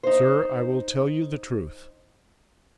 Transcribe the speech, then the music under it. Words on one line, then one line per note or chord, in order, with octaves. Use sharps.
'Sir, I will tell you the truth.
D#4 C5